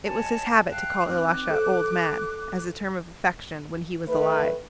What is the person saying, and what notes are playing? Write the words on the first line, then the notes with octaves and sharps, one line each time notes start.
It was his habit to call Ilusha "old man," as a term of affection when he was alive.
C#5 G#5 A5
D#5
E5 F5 G5 A5 F#6
C4 D#4 A#4 D6 F#6
A4 B4 C5
D#3 A3 B4